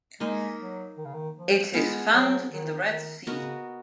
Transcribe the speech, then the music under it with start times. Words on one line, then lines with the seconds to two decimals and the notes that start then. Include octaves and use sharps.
It is found in the Red Sea.
0.20 G#3 A#3 D#4 A#4 D#5
0.58 F#3
0.98 D#3
1.05 C#3
1.14 D#3
1.36 F3
1.74 G#3 B3 F4 G#4
2.13 F#3
2.50 D#3
2.88 D#3
3.27 C#3 B3 F#4 A#4 D#5